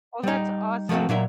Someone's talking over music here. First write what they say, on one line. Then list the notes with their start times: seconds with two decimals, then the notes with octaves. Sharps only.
Oh, that's awesome.
0.23 G3 D#4
0.89 F3 A3 A#3 C4 F#4
1.09 A#2 F#3 A#4 E5